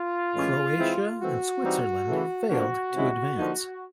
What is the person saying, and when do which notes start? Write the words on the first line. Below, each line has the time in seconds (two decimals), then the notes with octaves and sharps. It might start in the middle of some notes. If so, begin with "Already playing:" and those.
Croatia and Switzerland failed to advance.
Already playing: F4
0.35 A2 E3 G#3 C#4
0.78 E3 G#3 C4 E4
1.21 E3 A3 C4 F#4
1.64 E3 G3 C4 D#4
2.07 C#3 E3 A3
2.50 D3 F3 A#3 F#4
2.93 C3 D#3 G#3 C#4 E4
3.37 D3 F3 A#3 D#4